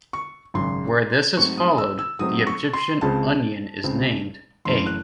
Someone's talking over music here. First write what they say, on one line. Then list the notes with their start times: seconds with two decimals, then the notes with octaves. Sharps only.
Where this is followed, the Egyptian onion is named A.
0.13 C#6
0.54 G#1 F#2 C#3 G#3 C6
1.37 G#2 F#3 A3 C4 C#6
1.58 D#6
1.78 E6
1.99 E6
2.19 G#2 F#3 A3 C4 D#6
2.47 C#6
2.73 C6
3.01 C#2 C#3 G#3 C4 A5
3.84 C#2 C#3 G#3 C4
4.65 F#1 F#2 E3 A3 C#4 C6
4.86 F#6